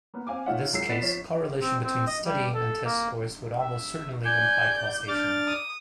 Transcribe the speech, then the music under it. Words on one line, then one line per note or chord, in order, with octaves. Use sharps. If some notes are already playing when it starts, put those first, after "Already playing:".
In this case, correlation between studying and test scores would almost certainly imply causation.
A#3 B3
C4 F5 G#5 D6
A3 D#4 F4 C#5 E5 F#5
C2 F#3 G#3 E6 C7
B3 D5 D#5 A6 B6 E7
F3 C#5 B6
C4
C4
D#5
G3
A4
A#3
E5
D5 G#5 G6
D4 D6 F6 A6
D#6